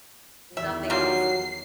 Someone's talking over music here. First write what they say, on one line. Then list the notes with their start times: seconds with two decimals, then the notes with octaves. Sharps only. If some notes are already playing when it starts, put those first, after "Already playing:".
Nothing else.
0.57 E2 D#3 E5
0.90 F#3 G3 A#3 F4 C7